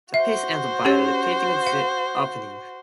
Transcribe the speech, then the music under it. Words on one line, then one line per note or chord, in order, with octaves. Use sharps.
The piece ends by repeating the opening.
F#4 C5 E5
C#4 G4 C#5
F5